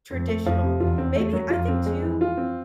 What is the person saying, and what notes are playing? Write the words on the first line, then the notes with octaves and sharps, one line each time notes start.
traditional. Maybe I think too
F2 C4
A3
F2 F3
C3
E2 F4
C4
A3
F#3
F2 F4
C4
G#3
E3
F4
C4